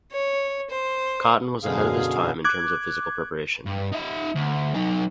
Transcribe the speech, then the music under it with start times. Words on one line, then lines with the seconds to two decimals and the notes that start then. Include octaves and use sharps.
Cotton was ahead of his time in terms of physical preparation.
0.12 C#5
0.70 C5
1.64 F#2 B2 D3 G#4 F5
2.45 D6 F#6 G#6
3.66 G2
3.92 D#4 E5
4.35 D2
4.74 F#3 D#4